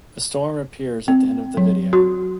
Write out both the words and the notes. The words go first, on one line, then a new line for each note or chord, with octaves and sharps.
A storm appears at the end of the video.
C4
F#3
F#4